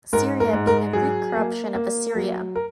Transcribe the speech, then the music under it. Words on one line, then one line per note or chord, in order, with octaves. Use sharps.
Syria being a Greek corruption of Assyria.
G#2 A#4
A#4
G#2
A#4
F#3 G#4
A#3
A#3
F#3
A#4